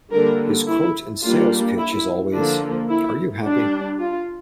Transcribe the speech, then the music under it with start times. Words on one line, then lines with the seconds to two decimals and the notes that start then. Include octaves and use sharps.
His quote and sales pitch is always Are you happy?
0.12 D3 G3 A#3 A#4
0.68 E4
1.23 G3 A#3 D4 F4
1.78 E4
2.34 D3 F3 A#3 D4
2.88 E4
3.44 G3 D4
3.99 F4